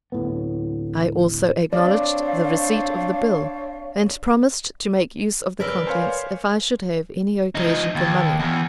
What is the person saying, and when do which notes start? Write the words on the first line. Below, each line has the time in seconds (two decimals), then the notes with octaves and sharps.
I also acknowledged the receipt of the bill, and promised to make use of the contents if I should have any occasion for money.
0.12 D1 A2 B3
1.73 C4 D4 C#5 D5 F5
5.60 F#2 C#3 A#4 B4 D5 E6 G7
5.87 C5 C#5 F5 G#5 C6 F6
7.55 F3 D#4
7.95 D#2
8.39 E2